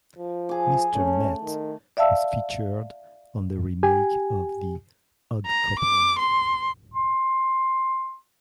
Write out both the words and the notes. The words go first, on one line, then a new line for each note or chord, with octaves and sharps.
Mr. Met was featured on the remake of "The Odd Couple".
F3
G#4 D6
A3 C#4
D#3
D5 E5 F5 A5 E6
G4 G#5
A#5
D6
C6
C6